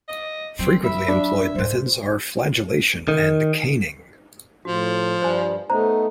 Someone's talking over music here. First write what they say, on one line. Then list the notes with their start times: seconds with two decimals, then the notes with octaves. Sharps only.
Frequently employed methods are flagellation and caning.
0.09 D#5
0.59 F#3 C4
0.84 E5 B5
1.08 D4
1.55 F2 G#2 C5
3.08 D#3
4.65 A2 F3 F#4
5.22 G2 G3 C5 G#5
5.70 A3 B3 D#4 C5 A#5